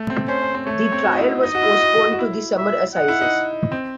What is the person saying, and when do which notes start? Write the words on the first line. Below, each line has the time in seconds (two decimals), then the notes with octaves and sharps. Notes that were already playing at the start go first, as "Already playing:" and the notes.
The trial was postponed to the summer assizes.
Already playing: A3
0.10 C4
0.28 C#4 C5
0.42 C#4
0.54 C4
0.66 A3 C#5
0.92 C4
1.05 F#4
1.13 D#4
1.18 E4
1.43 D#4 D#5
1.55 F#4
1.62 E4
1.81 F#4
2.00 F#4
2.12 F#4
2.19 E4
2.58 E5
2.95 D#4 F#5
3.08 E4
3.21 D#4
3.72 C4